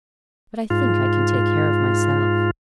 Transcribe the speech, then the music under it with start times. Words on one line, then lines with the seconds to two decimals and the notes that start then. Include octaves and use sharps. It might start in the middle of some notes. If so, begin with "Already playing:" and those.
But I think I can take care of myself.
0.70 G#2 F4